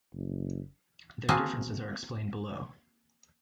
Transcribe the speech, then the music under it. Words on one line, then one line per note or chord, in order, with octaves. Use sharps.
Their differences are explained below.
F#1
A#3 C4 F#4 G#4 A5